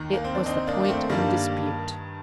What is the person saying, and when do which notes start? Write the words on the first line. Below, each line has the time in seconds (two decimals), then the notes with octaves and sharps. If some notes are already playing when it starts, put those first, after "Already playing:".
It was the point in dispute.
Already playing: D#2 D#3
0.13 A#3
0.24 C4
0.35 D4
0.46 C4 D#4
0.67 A#3 D4
0.85 A#3
0.88 A3 C4
1.09 G2 D#3 G3 A#3